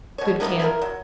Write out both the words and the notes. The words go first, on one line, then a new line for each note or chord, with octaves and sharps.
Good Camp.
B2 C#5
C3 D#3 F3 B3
E4 F4 G4 A#4
F#3